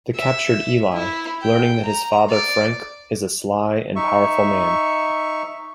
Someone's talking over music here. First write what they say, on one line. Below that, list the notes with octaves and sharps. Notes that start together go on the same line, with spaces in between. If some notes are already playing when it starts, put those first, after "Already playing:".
They capture Eli, learning that his father Frank is a sly and powerful man.
E5
E4
G5
A#5
D5
D#4 E5 C#6